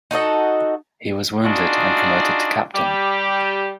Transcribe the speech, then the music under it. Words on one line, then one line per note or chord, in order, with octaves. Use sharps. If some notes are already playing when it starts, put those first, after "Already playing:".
He was wounded and promoted to captain.
D#4 F#4 A4 D#5
D4 D#4 F4 F#4 G#4 D5
G3 G4